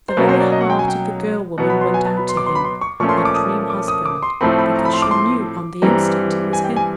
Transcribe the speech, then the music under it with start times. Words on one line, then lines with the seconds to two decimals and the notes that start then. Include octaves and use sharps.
The very heart of the girlwoman went out to him, her dreamhusband, because she knew on the instant it was him.
0.09 C5
0.17 B2 F#3 A#3 C#4 B4
0.29 C5
0.40 D5
0.52 D#5
0.61 F#5
0.70 G5
0.79 G#5
0.88 G5
1.58 B2 F#3 B3 F#5
1.70 B5
1.81 C6
1.94 G#5
2.05 A5
2.17 B5
2.29 C6
2.37 D6
2.46 C6
2.55 B5
2.64 C6
2.81 C#6
3.00 A#2 F3 A3 C#4 C#6
3.09 C6
3.17 C#6
3.25 D6
3.34 D#6
3.70 D6
3.88 D#6
4.06 D6
4.23 C6
4.41 A2 F3 A3 C4 B5
4.58 B5
4.76 A#5
4.85 B5
4.93 C6
5.02 D6
5.11 C6
5.82 G2 E3 G3 C4 A#5
6.53 G#5
6.64 G5
6.76 G#5